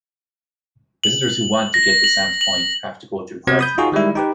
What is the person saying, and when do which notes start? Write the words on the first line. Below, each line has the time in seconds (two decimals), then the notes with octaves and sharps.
Visitors who want to get to Sam's Point have to go through Cragsmoor.
1.04 F#7
1.74 A#6
2.04 F#7
2.41 F#7
3.47 C3 F#3 B3 G#6
3.59 B5 D#6 G6
3.78 D#4 F4 F#4 G#4
3.92 D#3 G3 G#3 E4
4.15 D#4 G4 B4